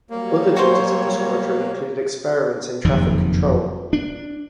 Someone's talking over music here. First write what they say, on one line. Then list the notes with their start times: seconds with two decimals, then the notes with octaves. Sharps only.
Other duties of the squadron included experiments in traffic control.
0.10 F#3 G3 A#3 C#5
0.57 F#4 C5
2.85 F#1 F2 A#2 D#3
3.93 D4